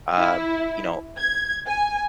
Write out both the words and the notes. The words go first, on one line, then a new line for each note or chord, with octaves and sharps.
um, you know,
E4
G#6
G#5